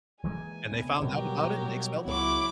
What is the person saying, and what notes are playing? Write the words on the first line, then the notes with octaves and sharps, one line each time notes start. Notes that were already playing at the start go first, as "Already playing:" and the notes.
And they found out about it, and they expelled him.
E3 G#3 A#3 G#5
D2 C3 B3
B2 F#3 G3 G4 A#4
C#2 F#3 B3 E4 D6